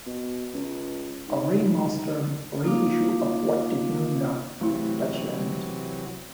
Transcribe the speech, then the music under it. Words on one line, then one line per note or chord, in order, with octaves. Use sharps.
A remastered reissue of What Do You Know, Deutschland?
B2
C#2
G#2
A#3 D#4 F4 F5 D6
C3 E3 F#3 A3 E4